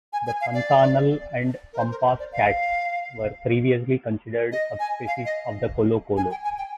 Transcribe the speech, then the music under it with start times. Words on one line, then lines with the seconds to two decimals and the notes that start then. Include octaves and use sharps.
The Pantanal and Pampas cats were previously considered subspecies of the colocolo.
0.13 G#5
0.27 G#5
0.41 F5
0.54 D5
1.73 A#4
1.78 C5
1.91 A#4
2.06 C5
2.19 D5
2.32 F5
4.52 D#5
4.79 G#5
5.07 F5
5.25 D#5
6.17 G#5
6.31 G5
6.44 G#5
6.58 G5